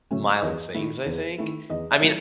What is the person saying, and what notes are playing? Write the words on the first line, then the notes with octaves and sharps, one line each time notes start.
mild things, I think. I mean,
C#3 F#3 A3 C#4
E2 D#5
D#3 A3 E4
E2
D#3 A3 E4
E2 D#5
E5
D#3 F#3 A3 E4